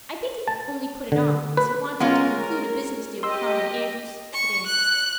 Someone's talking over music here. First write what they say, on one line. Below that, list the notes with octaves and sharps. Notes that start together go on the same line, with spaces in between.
"I think he only put it on because he wanted to conclude a business deal with Harmon Andrews," said Anne.
A5
D3
B4
G#3 B3 C#4 F4 A#4
G4 D#5 C6 E6
C#6
F#6